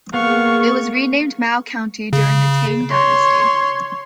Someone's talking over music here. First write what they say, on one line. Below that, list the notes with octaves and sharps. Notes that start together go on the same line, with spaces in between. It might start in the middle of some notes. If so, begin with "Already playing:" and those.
It was renamed Mao county during the Tang Dynasty.
A#3 B3 G#4 F5 C#6
C#3
C#5 C6